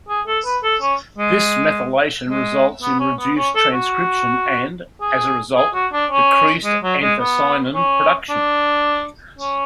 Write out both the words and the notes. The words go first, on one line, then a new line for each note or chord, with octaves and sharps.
This methylation results in reduced transcription and, as a result, decreased anthocyanin production.
G#4
A4
B4
A4
C#4
G#3
G#3
B3
C#4
B3
C#4
A4
F#4
G#4
G#4
F#4
D4
C#4
G#3
F#3
G#3
B3
C#4
D4
C#4